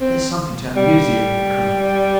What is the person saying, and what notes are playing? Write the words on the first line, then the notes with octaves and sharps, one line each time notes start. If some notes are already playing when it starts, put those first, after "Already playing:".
"Here's something to amuse you!" he cried.
C4
G3